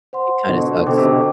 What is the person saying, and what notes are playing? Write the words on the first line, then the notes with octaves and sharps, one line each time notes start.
it kinda sucks,
C5 F#5 C6
B2 D3
B2 D3 A4 C5 G5 D6
C3
B2 D3